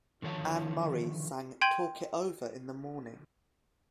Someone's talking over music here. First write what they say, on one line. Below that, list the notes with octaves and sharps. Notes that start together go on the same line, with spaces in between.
Anne Murray sang "Talk It Over in the Morning".
D3 D#3 F3 C#5 A5
G5 C6 G6 G#6 D#7 F#7